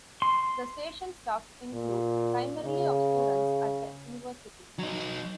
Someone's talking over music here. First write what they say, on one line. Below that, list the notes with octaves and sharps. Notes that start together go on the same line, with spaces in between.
The station staff include primarily of students at the university.
C6
A#2
C#3
F#3 D#4